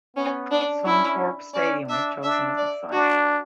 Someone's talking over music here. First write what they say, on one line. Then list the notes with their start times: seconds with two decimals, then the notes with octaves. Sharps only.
Suncorp Stadium was chosen as the site.
0.16 B3 C#4
0.51 D4
0.86 C#4 E4
1.54 C#4 D5
1.89 D4 E5
2.23 D4 E5
2.57 D5
2.92 D4 F#4